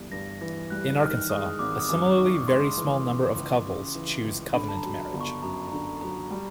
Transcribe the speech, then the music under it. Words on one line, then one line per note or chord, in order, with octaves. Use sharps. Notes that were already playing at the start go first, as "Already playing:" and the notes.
In Arkansas, a similarly very small number of couples choose covenant marriage.
Already playing: G1 E3 G3
G2 A#6
E3 A#6
G3 F#6
D#3 F6
G#3 D#6
G#1 D6
D#6
F#2 D6
D#3 C#6
G#3 C6
E3
C#2
C#2
C#3
E3
C#2
D3 B5
A5
A#5
F#3
G1
C#6
F#2 A#5
D3 A#5
F#3 A#5
G3